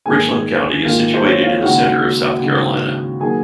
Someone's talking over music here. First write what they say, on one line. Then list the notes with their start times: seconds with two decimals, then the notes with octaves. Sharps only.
Richland County is situated in the center of South Carolina.
0.06 G#2 D#3 A#3 G#4 G#5
0.85 G#2 D#3 A#3 F4 F5
1.14 C5
1.23 C#5
1.43 F4 F5
1.63 D#2 C#3 G#3 F#4 F#5
2.42 D#2 C#3 G#3
3.20 D#3 F#3 A#3 G#4 G#5